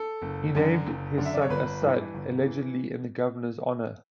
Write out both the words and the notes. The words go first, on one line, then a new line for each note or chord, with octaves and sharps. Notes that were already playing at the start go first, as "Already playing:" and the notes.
He named his son Asad, allegedly in the governor's honor.
Already playing: A4
F#1
F#2 D3
F#1
F#2 D3
E5
D5
C#5
G1 B4
G2 E3
G1
E3